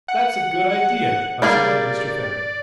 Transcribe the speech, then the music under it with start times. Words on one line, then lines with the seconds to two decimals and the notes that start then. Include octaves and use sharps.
"That's a good idea," assented Mr. Fenwick.
0.08 F#5
1.42 G3 A#3 G#4 D5